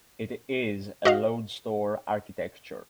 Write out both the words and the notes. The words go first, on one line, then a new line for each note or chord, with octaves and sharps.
It is a load-store architecture.
F#4 D#5 F5